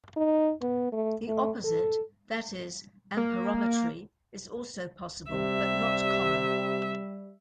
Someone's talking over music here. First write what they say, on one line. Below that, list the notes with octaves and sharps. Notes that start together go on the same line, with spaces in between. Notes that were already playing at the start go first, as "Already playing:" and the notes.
The opposite, that is, amperometry, is also possible but not common.
D#4
B3
A3
A3
A4
A#3
C3 G3 E5